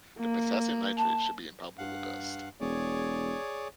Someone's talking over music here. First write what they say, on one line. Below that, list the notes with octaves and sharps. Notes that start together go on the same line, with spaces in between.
The potassium nitrate should be impalpable dust.
A#3
A5
G2 F5 F#5
E1 G#4 C#5 D5